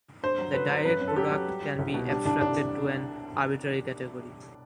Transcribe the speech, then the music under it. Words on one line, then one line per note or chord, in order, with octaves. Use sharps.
The direct product can be abstracted to an arbitrary category.
G2 C5
F#3
F#3 B4
F#3 C5
F#2 B4
F#2
A4
F#3 G4
F#3
G3
G3
C2
B2
G3 D4
C2 D4
C2 D4